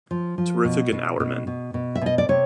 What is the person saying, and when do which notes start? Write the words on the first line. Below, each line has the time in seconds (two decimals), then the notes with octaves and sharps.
Terrific and Hourman.
0.11 F3
0.38 F3
0.65 B2
0.92 B2
1.20 B2
1.47 B2
1.74 B2
1.95 E5
2.01 B2 D#5
2.18 D5
2.29 C3 C#5